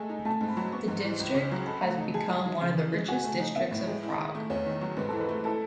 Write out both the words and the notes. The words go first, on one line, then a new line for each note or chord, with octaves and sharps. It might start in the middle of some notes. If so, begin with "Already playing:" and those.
The district has become one of the richest districts of Prague.
Already playing: G#3 A3 A4 G#5
D#4
A3 A5
G#2
B5
F#3
B3 C#6
G#2
E3
C#2
C#3
F#3
A4 B5
A3
D#4
G#4 A5
G#3
D#4
C#3
E3
G#3
F#4 G#5
A3
D#4
B3 E5
A2
G#3
E4
D#3
A3
E2 C#5
D#3
F#3
G#2 B4
E3 A4
B4
A3
E4 A4